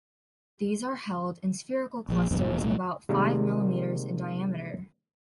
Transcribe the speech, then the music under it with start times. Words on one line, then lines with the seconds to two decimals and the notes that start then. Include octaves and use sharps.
These are held in spherical clusters about five millimetres in diameter.
2.09 A#1 F3
2.31 F1 A#1 G2 B2
2.47 E1 A#2
2.63 C2 A#2 A3
3.09 C3 D#3 G3 G#3 A#3 C4